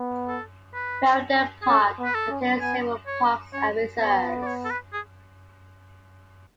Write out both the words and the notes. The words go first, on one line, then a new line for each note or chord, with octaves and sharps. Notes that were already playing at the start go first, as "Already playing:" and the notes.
Ferryden Park contains several parks and reserves.
Already playing: B3
A4
B4
G#4
C#4 A4
B3
B4
A4
C#4
B3 G#5
C#5
C#4 C#5
B3 C#5
D5
C#5
A4
B4
G#4